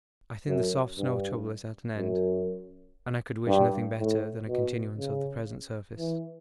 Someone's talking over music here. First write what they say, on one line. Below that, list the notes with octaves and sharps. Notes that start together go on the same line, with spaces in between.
I think the soft snow trouble is at an end, and I could wish nothing better than a continuance of the present surface.
F#2
G2
F#2
G2
A2
B2
C#3
E3